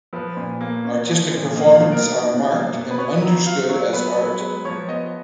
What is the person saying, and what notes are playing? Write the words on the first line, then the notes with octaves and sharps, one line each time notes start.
Artistic Performance are marked and understood as art.
F3 B4
A#2
A#3
C#4
F3
A#2
A#3 D#5
F5
B2
A#4
D#4
B2
A#3
B2
B4
B3 C#5
F#3 A#5
F4 F5
F#3 C#5
B3 B4
F#3 B4
G#3 B4
F3 C#5
B3 D#5